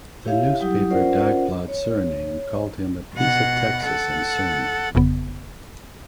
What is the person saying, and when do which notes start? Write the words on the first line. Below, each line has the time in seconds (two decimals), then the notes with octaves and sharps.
The newspaper "Dagblad Suriname" called him "a piece of Texas in Suriname".
0.24 E4 G4 C#5 E5 F5
0.60 F#3 G3 E4 G4 F#5 D#6
0.90 C#4 F4 A#4 C5 D5 F#5
1.68 C#5
3.14 B2 F#5
3.83 A4 F#5
4.95 G1 F2 C#3 B3